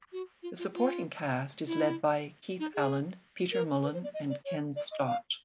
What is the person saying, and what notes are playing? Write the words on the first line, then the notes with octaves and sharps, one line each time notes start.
The supporting cast is led by Keith Allen, Peter Mullan and Ken Stott.
F#4
F4
F4
F4
E4
D#4
G#4
A#4
B4
C5
D5
D#5
D5
C#5
D5
D#5
F5